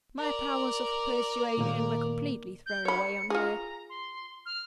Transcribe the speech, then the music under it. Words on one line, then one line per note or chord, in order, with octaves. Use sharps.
My powers of persuasion were completely thrown away on her.
A#4 D5
A#2 D#3 A#3
G6
C#5 B5 C#7
F4 G#4 A#5
C6
F6